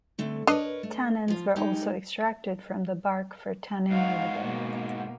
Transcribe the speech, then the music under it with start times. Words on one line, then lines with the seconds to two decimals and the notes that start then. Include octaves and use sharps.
Tannins were also extracted from the bark for tanning leather.
0.18 D3 A3 C4
0.47 D4 A#4 B4 C#5 D#5
0.83 A3
1.28 F3 F4
1.56 G#3 D#4 G4
3.91 G#2 F#4 F5
4.42 B2 A#3